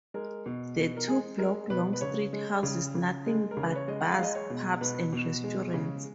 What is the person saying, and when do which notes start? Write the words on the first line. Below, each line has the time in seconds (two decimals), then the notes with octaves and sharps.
The two-block long street houses nothing but bars, pubs and restaurants.
0.14 G#3 A#4
0.46 B2
0.77 B2
0.97 A#4
1.08 G#3 G#4
1.38 G#3 A#4
1.70 B2 B4
1.93 B4
2.01 C#3 C#5
2.33 G#3
2.63 C#3
2.95 C#3
3.26 G#3
3.51 A#4
3.57 C#3
3.63 B4
3.76 C#5
3.88 G#3 D#5
4.01 F#5
4.11 F5
4.19 G#3 D#5
4.35 C#5
4.50 B2
4.81 B2 B4
5.13 B2
5.44 G#3
5.74 C#3